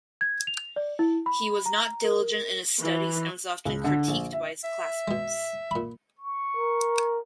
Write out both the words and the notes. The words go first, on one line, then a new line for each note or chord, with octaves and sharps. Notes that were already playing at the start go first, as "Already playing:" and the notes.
He was not diligent in his studies and was often critiqued by his classmates.
G#6
F7
D5
E4
B5
A#5
A#4
E3
C#2
D3
A#1
E5
E5
B2 G#3
A#2 B5
C#6
A#4